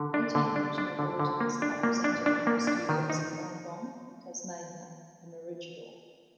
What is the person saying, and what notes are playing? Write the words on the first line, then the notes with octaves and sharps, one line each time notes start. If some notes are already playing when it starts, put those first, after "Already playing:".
Eighteen regional bulletins are presented from studios in Wollongong, Tasmania and Maroochydore.
Already playing: D3
D4
D3
D4
D4
D3
D3
A#3
D4
A#3
D4
D4
A#3
D4
D#3
D#4